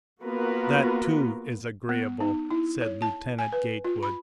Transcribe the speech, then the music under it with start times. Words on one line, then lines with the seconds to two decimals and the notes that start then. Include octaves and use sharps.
"That, too, is agreeable," said Lieutenant Gatewood.
0.23 A#3 B3 F4 F#4 A#4 B4
1.89 B3
2.20 D#4
2.51 E4
2.81 C#5
3.02 A5
3.39 G#5
3.52 B4
3.84 F4
4.03 B5